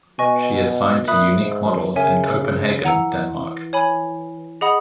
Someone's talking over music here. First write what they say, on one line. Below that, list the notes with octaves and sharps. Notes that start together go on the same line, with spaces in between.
She is signed to Unique Models in Copenhagen, Denmark.
B2 B4 D#5 G#5 C#6
A#2 E5 B5 D#6 F#6
G#2
F#2
C#3 A#4 C#5 E5 G#5
E3 F#5 A#5 E6
C#5 G#5 B5
G#4 D#5 F#5 B5 D#6